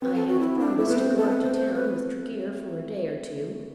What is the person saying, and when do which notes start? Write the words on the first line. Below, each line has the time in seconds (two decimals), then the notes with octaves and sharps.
I have promised to go up to town with Tregear for a day or two.
0.02 C4 B4
0.15 A4
0.28 F#4
0.40 E4
0.59 D4
0.78 A3 E4
0.88 B3 B4
0.97 C4 C5
1.07 B3
1.17 A3 A4
1.30 B4
1.42 C5
1.55 C5
1.74 B4